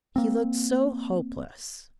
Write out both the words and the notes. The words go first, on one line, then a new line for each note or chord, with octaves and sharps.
He looked so hopeless.
A#3 C4